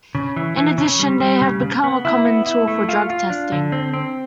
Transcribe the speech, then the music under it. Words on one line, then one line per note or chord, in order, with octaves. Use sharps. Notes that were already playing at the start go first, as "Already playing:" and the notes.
In addition they have become a common tool for drug testing.
C#3
E3
E3
C#3
G3
G3
C#3
C#3
B3
E4
B3
E4
A3
F4
F4
D4
D3
C4
C4